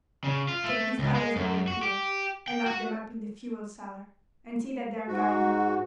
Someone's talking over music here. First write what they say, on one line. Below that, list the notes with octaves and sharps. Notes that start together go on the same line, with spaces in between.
Take these fellows away, Peter, and lock them up in the fuel-cellar, and see that they are guarded.
C#3
F4
A3
C#2
G#3
F#2
F#4
G4
G5
F#4
G#2 F#4